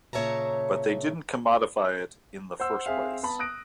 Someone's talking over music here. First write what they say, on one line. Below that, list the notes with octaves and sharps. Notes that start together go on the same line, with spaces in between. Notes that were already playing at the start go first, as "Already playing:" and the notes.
But they didn't commodify it in the first place.
A#2 C#3 C#5 E5 A5 A#5
C5 F#5 E6
C4 G#4 E5 F5
B3 A5 B5
D#6 F#6 A#6 D7